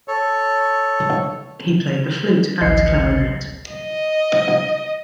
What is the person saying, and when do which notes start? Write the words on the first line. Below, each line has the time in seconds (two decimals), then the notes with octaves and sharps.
He played the flute and clarinet.
0.08 A4 C#5
2.61 A1 D2 D#5 C7 C#7
3.72 D#5